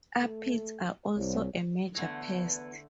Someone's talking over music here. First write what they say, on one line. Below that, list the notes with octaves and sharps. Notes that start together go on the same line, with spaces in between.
Aphids are also a major pest.
A3
C2 C#5
D3 E3 A3 B3 A#5